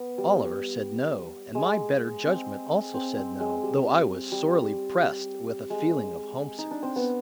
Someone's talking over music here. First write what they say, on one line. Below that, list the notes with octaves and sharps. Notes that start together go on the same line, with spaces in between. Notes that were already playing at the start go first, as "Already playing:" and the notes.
Oliver said no, and my better judgment also said no, though I was sorely pressed with a feeling of homesickness.
Already playing: B3
G3
G#3
C4
C4
C4
G#3
G3
G3
G#3
D#4
D4
C4
B3